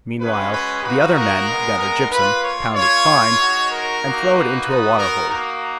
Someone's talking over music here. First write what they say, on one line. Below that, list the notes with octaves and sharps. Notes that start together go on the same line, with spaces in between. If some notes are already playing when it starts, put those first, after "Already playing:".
Meanwhile the other men gather gypsum, pound it fine, and throw it into a water-hole.
G#3 C#4 F#4 B4
B4
A#3 D#4 F#4 B4
A#4
G#3 B3 D#4
A#4
A#3 F4 B4
C#5
A#3 F4 C#5
G#3 D#4 F#4
A#4
A#3 D#4 F#4
B4
B3 D#4 F#4
A#4
A#3 D#4 F#4 A#4